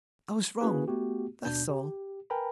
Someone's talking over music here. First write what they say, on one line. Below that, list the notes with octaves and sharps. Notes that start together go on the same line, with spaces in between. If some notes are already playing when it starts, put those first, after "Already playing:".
I was wrong, that's all.
A#3 C#4 E4 F#4 G#4 B4
A3 B3 F#4 G4
D#2 B2 D4 G6
G4
A#4 B4 G5 G#5 A#5 B5